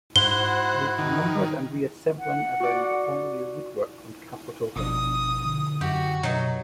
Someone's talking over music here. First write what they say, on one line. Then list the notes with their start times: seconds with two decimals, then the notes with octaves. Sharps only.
They were numbered and reassembling around all-new woodwork on Capitol Hill.
0.16 G#2 E4 F#4 C5 F#5 G7
0.98 D#3
2.19 F#5
2.60 F#4 D5
4.76 G1 B2 F3 D4 D#6
5.45 D3
5.81 F#2 F#4 G4
6.23 B2 F#3 D#4